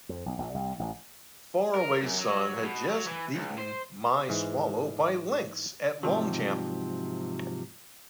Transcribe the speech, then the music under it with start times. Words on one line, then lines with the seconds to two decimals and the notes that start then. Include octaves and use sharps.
Faraway Son had just beaten My Swallow by lengths at Longchamp.
0.09 F2
0.26 B1
0.38 A#1
0.54 C2
0.79 A1
1.75 A#4
2.02 F#2
2.18 F#3
2.63 B2
2.89 F#3
3.07 E3
3.34 C#2
3.58 C5
4.29 G#2 E3 G#3
6.03 G#2 C3 F3 F#3